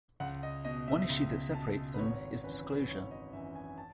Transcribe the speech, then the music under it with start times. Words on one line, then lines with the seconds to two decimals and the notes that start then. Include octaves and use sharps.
One issue that separates them is disclosure.
0.20 C#2 F#5
0.43 D#5
0.65 B2 D#5
0.88 E5
1.10 C#2
1.54 B2 A5
1.94 B4
1.99 G#1 C#5
2.44 F#2 E3 B4
2.88 G#1 C#5
3.05 C#5
3.11 D#5
3.33 F#2 E3 E5
3.55 G#5
3.78 A5